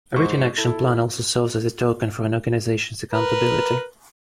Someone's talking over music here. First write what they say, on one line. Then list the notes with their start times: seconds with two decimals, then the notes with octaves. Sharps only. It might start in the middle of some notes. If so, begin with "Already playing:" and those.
A written action plan also serves as a token for an organization's accountability.
0.16 G#2 C5 C#6
0.58 E4 A4
3.13 A#4 B4